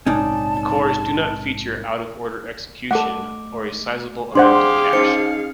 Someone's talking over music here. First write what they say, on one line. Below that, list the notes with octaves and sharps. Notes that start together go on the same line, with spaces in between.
The cores do not feature out-of-order execution, or a sizable amount of cache.
A#1 G#2 C3 C#4 D#4 D5 A5
A3 A4 F#5 D6
D4 G4 G#4 C5 F5 F#5 C6
C#4 D#4 C5 C#7